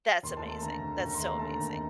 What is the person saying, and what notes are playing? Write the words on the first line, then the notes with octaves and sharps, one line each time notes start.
that's amazing, that's so amazing,
D#2 C6
A5
A3
A5
D3 A#5
D#2
D#2 A#5
C6
A3
A#5
D3 A5
A#5
D#2